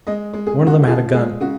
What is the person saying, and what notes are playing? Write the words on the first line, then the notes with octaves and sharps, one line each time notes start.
One of them had a gun.
G#3 D#5
G#3
G#4
C#3
F#4
F#4
F3 G#4
G#3 G#4
C#3 F#4